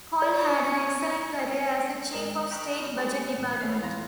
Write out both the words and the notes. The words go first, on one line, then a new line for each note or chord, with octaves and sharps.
Kol had an excellent career as the Chief of State Budget Department.
C#5 D5
G#2 D#3 A#4 D#5
G5 A#5 B5 C#6 F6 F#6
G4 G#4 C5
A1 E2
A3 C#4 E4 B5 F6 C7
E2 F4 A#5 A#6